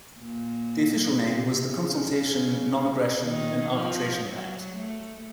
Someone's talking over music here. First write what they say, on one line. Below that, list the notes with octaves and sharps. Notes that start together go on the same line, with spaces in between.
The official name was the Consultation, Non-Aggression and Arbitration Pact.
A#2
C3
C#3
D#3
F3
F#3
A3